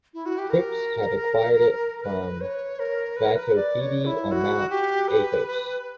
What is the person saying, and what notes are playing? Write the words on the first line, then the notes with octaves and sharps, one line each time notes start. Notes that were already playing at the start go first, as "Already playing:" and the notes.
Cripps had acquired it from Vatopedi on Mount Athos.
E4
F#4
G4
A#4
A#4
B4
C#5
A#4
B4
A#4
B4
D5
C#5
E4
F#4
G4
B4